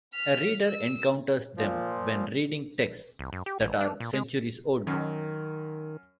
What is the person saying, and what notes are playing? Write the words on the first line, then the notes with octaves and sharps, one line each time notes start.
A reader encounters them when reading texts that are centuries old.
F6 B6
E6
A#2 F3
C2
F#2
G4
A1
D4
A#2
G#3
F#2 D#3